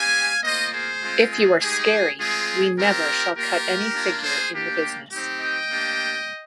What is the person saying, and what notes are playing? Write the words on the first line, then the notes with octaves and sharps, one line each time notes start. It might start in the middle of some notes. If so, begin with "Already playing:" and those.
If you are scary, we never shall cut any figure in the business.
Already playing: C4 G4 F5 G#5
A#3 F4 C5 D#5
G#4 C5
G#3 C4 F4
G#4
G#3 D#4 G4 G#4
G#3 C4 F4 G#4
C4 F4 G4 A#4
A#3 F4 G4 A#4
A#3 D4 F4
G#4 C5
A#3 D4 G4
C4 D#4 G4
D#5 G5
A#3 D4 G4